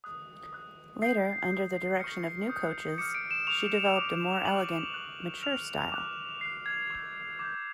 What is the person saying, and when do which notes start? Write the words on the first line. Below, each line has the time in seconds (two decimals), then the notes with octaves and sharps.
Later, under the direction of new coaches, she developed a more elegant, mature style.
0.04 D#6 F#6
0.53 D#6 F#6
1.02 D#6 G6 C7
1.51 D#6 G6
2.00 C#6 F6 C#7
2.49 D#6 G6
2.98 D6 F6 C#7
3.15 D7
3.31 E7
3.47 C#6 F6 F7
3.96 D6 F#6
4.45 C#6 F#6 F#7
4.94 D6 F#6
5.43 C#6 F6 F7
5.92 D6 F#6
6.41 D6 F#6 C7
6.66 G#6
6.90 C#6 E6 G6
7.39 D6 G6